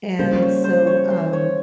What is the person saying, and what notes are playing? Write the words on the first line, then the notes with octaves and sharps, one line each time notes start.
and so, um,
C#3 G3 A#3 C5
C#5
C5
C#5
C5
C#5